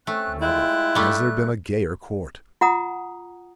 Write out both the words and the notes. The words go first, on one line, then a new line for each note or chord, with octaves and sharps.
Never has there been a gayer Court.
A3 C4 C#4 F#6
G#3 E4 F4 G5 F#6
G3 A3
F4 F#5 A#5 D#6